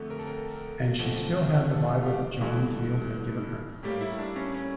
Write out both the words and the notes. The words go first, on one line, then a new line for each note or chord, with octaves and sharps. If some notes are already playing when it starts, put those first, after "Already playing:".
And she still had the Bible that John Field had given her.
Already playing: F2 D3 A3
A#4
A4
A#4
F2 D3 F3 A3
A4
F4
G4
G2 E3 A3
A2 G3 A#3 G4
E4
D4
C#4
C#4